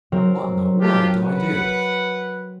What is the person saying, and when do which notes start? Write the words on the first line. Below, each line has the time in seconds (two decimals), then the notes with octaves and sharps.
What in the world do I do?
0.12 F#3 C4 A#4
0.81 D4 F4 G4
1.23 B4 F#5